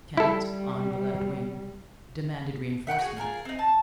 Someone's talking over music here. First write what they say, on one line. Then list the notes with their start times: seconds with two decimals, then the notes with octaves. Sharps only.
Kempt, on the left wing, demanded reinforcements.
0.17 G3 E4 A4
2.87 E5 F#5 G5 F#6
2.99 F#4 G#4
3.17 F4 G#4 A#4 G#5
3.45 C4 D#4
3.59 A5